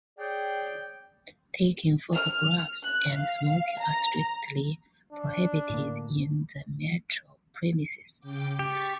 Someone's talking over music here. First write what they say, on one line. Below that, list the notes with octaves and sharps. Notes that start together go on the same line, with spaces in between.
Taking photographs and smoking are strictly prohibited in the metro premises.
G#4 C#5 D5 G5
F6
F#6
F5
A#5
D4
A2 D3 A#3
C#3 G5 D6
G4 C#6 A6 B6